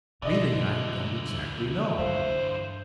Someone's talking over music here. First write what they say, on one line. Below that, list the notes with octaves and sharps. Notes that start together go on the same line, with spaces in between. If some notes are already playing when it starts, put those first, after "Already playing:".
"Really, I don't exactly know."
B2 D3 E3 D5 D#5
G2 C5 E5 F5